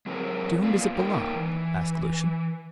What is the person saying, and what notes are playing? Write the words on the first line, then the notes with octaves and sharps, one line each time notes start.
"To whom does it belong?" asked Lucian.
F#3 C4 G#4 A#4 C#5
A#3 B3 F4 D5
A#3 D#4 A#4 D5 G5
E3